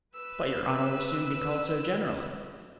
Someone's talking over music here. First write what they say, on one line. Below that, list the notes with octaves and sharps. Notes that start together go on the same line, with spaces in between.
"But your honor will soon be called so generally."
B4 E6